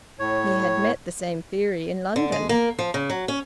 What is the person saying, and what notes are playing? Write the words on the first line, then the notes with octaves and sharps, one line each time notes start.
He had met the same theory in London.
A2 C#5
D3
G#3
A#3
F3
C#3
F#3
C#4